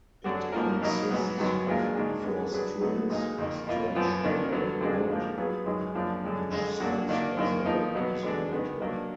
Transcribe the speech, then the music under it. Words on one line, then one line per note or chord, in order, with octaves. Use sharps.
It consists of four strings, stretched over a gourd, which serves as a resonator.
F#2 D3 F#3 D4 F#4
G#2 F3 A#3 F4 A#4
B2 F#3 A#3 D#4
G#2 F#3 B3
F#2 D#3 F#3 B3
A#2 G#3 D4 F4 A#4
G#2 D#3 G#3 D4
D3 G#3 B3
F#3 D4 G#4 B4
D3 F#3 B3 D#4
A#2 G#3 D#4 A#4
F2 D#3 A#3
B2 A#3 F4
F#2 F3 B3 F4
D#3 A#3 D4
D3 F#3 B3
F2 D3 G#3 D4
G#2 F3 A#3
F#3 B3 F4 G#4 B4
F#2 D#3 G#3 D#4
F#2 F3 A#3 D4
F#2 D3 G#3 D4
F2 D3 G#3
A#2 F#3 D4 F#4
D#3 A#3 D4
F#2 D#3 A#3
F3 A#3 D#4
B2 F#3 B3
D3 G#3 D4
D#3 G#3 B3 D#4
D#3 F#3 A#3 D4